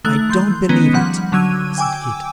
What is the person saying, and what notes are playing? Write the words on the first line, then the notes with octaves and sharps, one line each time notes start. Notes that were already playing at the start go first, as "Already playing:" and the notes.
'I don't believe it,' said Kit.
D#3 A3 F#6
E3 C6 G6
D#3 G#3 B3 C#4 D#4
F3 G3 F#5 B5
D3 F#3 E6 G#6 D#7
G5 G#5 D6 E6